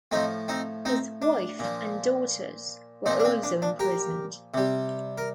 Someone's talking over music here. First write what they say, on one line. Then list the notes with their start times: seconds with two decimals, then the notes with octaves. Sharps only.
His wife and daughters were also imprisoned.
0.11 A2 F3 C4 D#4
0.48 C4 D#4
0.85 C4 D#4
1.22 D4
1.59 A#2 F3
3.06 A#2 F3 C4 D#4
3.20 D4
3.25 C4
3.43 D4
3.62 D4
3.79 G4 A#4
4.54 C3 G3
5.18 A#4